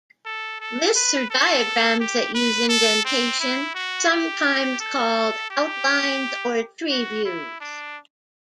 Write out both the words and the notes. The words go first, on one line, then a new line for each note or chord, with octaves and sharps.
Lists or diagrams that use indentation, sometimes called "outlines" or "tree views".
A4
A4
B4
A4
G4
B4
A4
C4
E4
F#4
G4
A4
G4
F#4
E4
D4